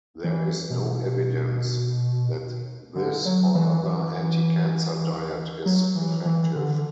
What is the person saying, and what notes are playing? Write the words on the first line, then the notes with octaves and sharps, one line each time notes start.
There is no evidence that this or other "anti-cancer" diet is effective.
E3
B2
D3
F#3
E3
E3
F#3
E3
E3
D3